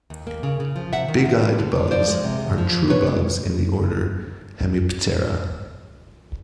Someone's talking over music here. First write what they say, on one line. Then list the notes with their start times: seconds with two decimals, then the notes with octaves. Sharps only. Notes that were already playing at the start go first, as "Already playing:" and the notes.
Big-eyed bugs are true bugs in the order Hemiptera.
0.10 D#2
0.27 A#3
0.43 C#3
0.60 C#3
0.76 F3
0.93 C3 E5 F#5
1.08 D#3
1.25 C4
1.41 G3
1.58 D3
1.75 D3
1.91 F3 C5 D5
2.08 G#3
2.24 C3
2.40 F2
2.58 F3
2.74 F2
2.90 B2 B4 C#5
3.07 G#3